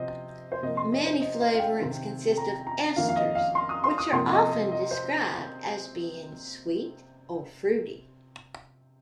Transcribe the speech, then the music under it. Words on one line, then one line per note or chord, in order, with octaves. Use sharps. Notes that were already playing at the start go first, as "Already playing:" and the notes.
Many flavorants consist of esters, which are often described as being "sweet" or "fruity".
Already playing: C3 F3 C5 D#5
C5
C3 F3 A#3 D#5
C6
D#5
C5
D#5
F5
F5
G5
C3 D#3 C4
A#5
A#5
F2 D#3 A#3 F5
F5
D#5
F5
C6
D#6
C6
D#6
C3 F3 A#3 C6
D#5
D#5
D#5
C5